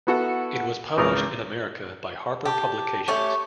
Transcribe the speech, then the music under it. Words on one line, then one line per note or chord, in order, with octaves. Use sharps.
It was published in America by Harper Publications.
B3 E4 F#4 A4 F#5
G#1 C#2 E3 A#4 D#6
G4 A5
A5
A3 C#4 G4
C#6